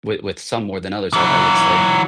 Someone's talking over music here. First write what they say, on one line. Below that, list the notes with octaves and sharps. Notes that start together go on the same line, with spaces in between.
with with some more than others, I I would say.
E3 F#3